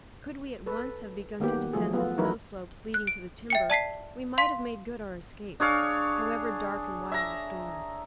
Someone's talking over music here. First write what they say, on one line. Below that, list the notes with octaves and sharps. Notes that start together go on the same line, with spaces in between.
Could we at once have begun to descend the snow slopes leading to the timber, we might have made good our escape, however dark and wild the storm.
A4 B4
D#3 A#3 B3 G4
F3 F#3 A3 F4 G#4
B3 F4 A4
E3 F#3 D#4 E4 A#4 B4
F#6
D7
E5 G5 C#7
D5 A5 B6 C7
F5 C6 B6
D4 G#4 C#5 F5
E5 A#5